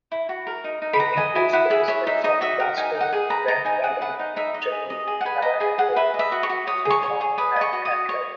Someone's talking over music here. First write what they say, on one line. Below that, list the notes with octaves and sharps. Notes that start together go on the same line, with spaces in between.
It includes the districts of Bastar, Dantewada, Bijapur, Narayanpur, Sukma and Kanker.
E4
F#4
A#4
D#4
D#4
B5
B4 A#5
D#5 G#5
E4 G#5
E4 F#5
G#4 E5
C#5 E5
D#4 E5
D#4 D#5
F#4 E5
A#4 F#5
D#4 G#5
D#4
F#5
G#4 G#5
B4 A#5
D#5 A#5
D#4 G#5
G#4 F#5
B4 F#5
D#4
D#4 E5
D#5
G#4
D#5
G#4
F#5
B4 G#5
D#5 A#5
G#4 G#5
G#4 F#5
B4 E5
D#5
E5
F#4
C#6
F#4
C#5 D#6
G#4
C#6
C#5
G#4
B4 D#6
D#5
C#6
F#4
D#6
F#4
C#5 C#6